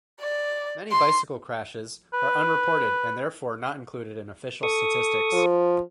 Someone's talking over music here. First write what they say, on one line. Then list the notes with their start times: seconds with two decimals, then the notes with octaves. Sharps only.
Many bicycle crashes are unreported and therefore not included in official statistics.
0.20 D5
0.91 C6
2.14 B4
4.63 A4 C#6 D#6
5.33 F3